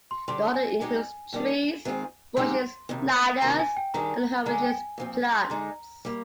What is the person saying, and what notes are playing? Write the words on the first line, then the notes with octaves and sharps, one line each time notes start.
The order includes trees, bushes, lianas, and herbaceous plants.
C6
D3 G3 D4 C6
G#5
D3 G#3 D#4 G4 G#5
D#2 D#3 G3 D4
D#3 G#3 C4 F4 G#4
D3 F3 G#3 D#4 G4 C6
F2 C3 D#3
D2 C3 D#3 A#5
G#5
G5
D#3 G3 D4 G#4 A#5
G2 D3 G#3 D4 G#4 A#5
G#5
G5
G#5
A#2 F3 C4
C6
D3 G#3 D#4 A#5
G3 A#3